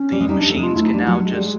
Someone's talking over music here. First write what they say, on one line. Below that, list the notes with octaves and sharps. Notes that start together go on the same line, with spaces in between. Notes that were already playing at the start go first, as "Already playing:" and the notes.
the machines can now just
Already playing: C#4
G3
G#3
G3 D#4
D4
A3
G#3
F4
A3 E4
D#4
G3 D4
F#3
G#3
G3